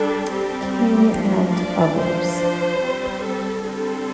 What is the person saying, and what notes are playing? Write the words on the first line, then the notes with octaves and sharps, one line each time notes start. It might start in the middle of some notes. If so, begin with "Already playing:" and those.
King and others.
Already playing: G3 D4 A4
G3 C4 G4
G4
F3 D4
D5
F3 D4 C5
C5
G3 C4
A4
D3 G3 C4 A4